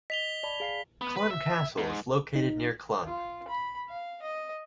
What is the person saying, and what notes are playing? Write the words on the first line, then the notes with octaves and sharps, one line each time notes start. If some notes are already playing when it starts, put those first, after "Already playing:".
Clun Castle is located near Clun.
D#5 B6 F7 G7
D5 A5 B5
G#4 F5 C7
B3
B4
E5
G#2
D#4
F4
B5
F5
D#5